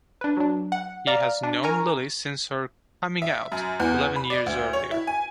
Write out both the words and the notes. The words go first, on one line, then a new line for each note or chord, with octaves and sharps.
He has known Lily since her "coming out" eleven years earlier.
D4 B4
F#3 D4
F#5
D5 F5 A#5 F6
D4
A#4 G#5 A#5 C#6
E5
F#2
E2
B5
D5
D2
C#5
E4
G#5